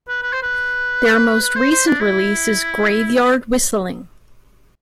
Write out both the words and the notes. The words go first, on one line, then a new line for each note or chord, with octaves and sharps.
Their most recent release is "Graveyard Whistling".
B4
B4
C5
B4
B4
C5
C5
D4
E4